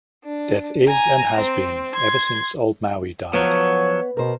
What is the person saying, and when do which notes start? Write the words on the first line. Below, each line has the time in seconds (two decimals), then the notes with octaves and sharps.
Death is and has been ever since old Maui died.
0.24 D4
0.88 G#5 A#5
1.39 C4
1.94 C6 G#6
3.33 F3 F#3 B3 C#5
4.17 B2 A#4 C5